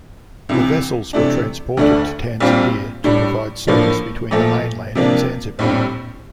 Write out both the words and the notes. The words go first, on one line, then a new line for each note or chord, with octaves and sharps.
The vessels were transported to Tanzania to provide service between the mainland and Zanzibar.
C2 C3 E3
C3 E3 A3 D4
D2 D3 A3 D4
A#1 A#2 G3 C4 F4
A2 G3 D4
A2 F3 A#3 D4
A#2 F3 A3
C3 F3 A#3 D4
A#1 A2 G3 C4